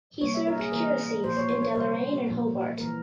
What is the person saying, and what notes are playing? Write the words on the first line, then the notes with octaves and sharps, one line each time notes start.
He served curacies in Deloraine and Hobart.
C3 G3 A#3 C#5
E5
A#4
G#4
E3 A#3 A#4
A#2 F3 A#3 C5
C#5
C#5
C#5
C3 G3 A#3 C5
A#2 F3 G#3
E3 A#3 A#4